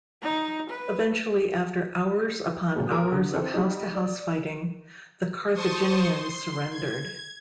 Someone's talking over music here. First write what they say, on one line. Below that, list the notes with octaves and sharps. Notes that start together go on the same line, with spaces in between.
Eventually after hours upon hours of house-to-house fighting, the Carthaginians surrendered.
D#4
B4
A#2 D3 F#3 A3 B3
A#4 C6 D#6
D3
C4 A4 C5
G3 D#4
D5
C5 A5 C6 C#6 D#6
C6
G#6